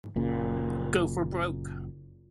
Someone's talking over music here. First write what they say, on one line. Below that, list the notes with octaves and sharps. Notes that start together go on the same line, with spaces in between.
Go for Broke!
F#1 A#2 C#3